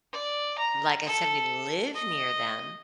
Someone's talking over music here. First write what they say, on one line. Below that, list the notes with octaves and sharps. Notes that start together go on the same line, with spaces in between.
like I said, we live near them.
D5
A#5
A4
D#5